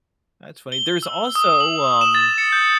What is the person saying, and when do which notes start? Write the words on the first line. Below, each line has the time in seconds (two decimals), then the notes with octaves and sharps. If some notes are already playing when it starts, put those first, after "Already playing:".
That's funny. There's also, um
0.72 G7
1.03 E6
1.35 D#6
1.60 F#7
2.01 E7
2.15 A6
2.38 C#7
2.52 G6